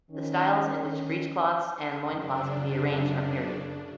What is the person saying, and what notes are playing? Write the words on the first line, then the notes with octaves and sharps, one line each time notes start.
The styles in which breechcloths and loincloths can be arranged are myriad.
D#3 C#4
F#2 C#3 D4